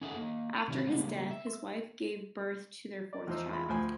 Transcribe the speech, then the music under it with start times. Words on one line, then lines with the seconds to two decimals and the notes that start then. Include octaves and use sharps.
After his death his wife gave birth to their fourth child.
0.01 C#4 D#4 G#4 A4 E5 F#5
0.17 A#3 D#5
0.68 C3 D#3 F#3 E4
0.87 C#3 G3 G#3 A#3 B3
1.31 E5
3.13 D5
3.27 E2 F3 D#4 C5 E6
3.51 E2 G#3 F4 B5
3.68 D2 A2 F3 C5 G#5 B5